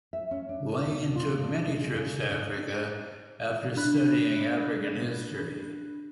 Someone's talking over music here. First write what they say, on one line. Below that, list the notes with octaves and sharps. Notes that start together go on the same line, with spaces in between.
Layne took many trips to Africa, after studying African history.
E5
C#4
D4
B2
F4
D4
G#3
C#3
G#2
D4 B5 F#6